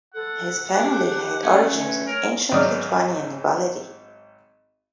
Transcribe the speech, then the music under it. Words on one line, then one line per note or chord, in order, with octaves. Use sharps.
His family had origins of ancient Lithuanian nobility.
A4 F#5
D4 G4
A3 C#4
B4
A#4 C#5
G#1 F#3 D5 D#6 F6